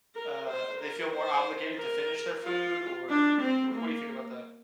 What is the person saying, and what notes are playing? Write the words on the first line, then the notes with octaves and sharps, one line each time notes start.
uh, they feel more obligated to finish their food or wh what do you think about that?
A#4
C5
A#4
C5
A#4
F4
D4
C4
A#3